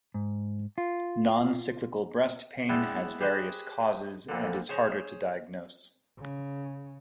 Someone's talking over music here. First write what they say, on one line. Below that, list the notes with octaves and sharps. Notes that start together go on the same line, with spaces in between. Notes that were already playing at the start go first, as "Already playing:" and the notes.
Noncyclical breast pain has various causes and is harder to diagnose.
G#2
F4
G#3 B3 E4 D5 G5
G4 G#4 B4 C5 D#5
F2 A#2 D3
G#4 C5 C#5
C#3